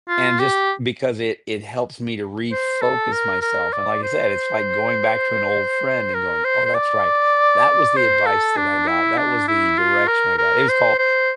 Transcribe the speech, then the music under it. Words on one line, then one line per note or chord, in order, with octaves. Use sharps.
and just because it it helps me to refocus myself and like I said, it's like going back to an old friend and going, "Oh, that's right. That was the advice that I got, that was the direction I got." It was called
F4
G4
C5
A4
A#4
A#4
D5
C5
A#4
C5
C5
D5
C5
A4
D4
E4
D4
E4
F4
A#4
A#4
C5
C5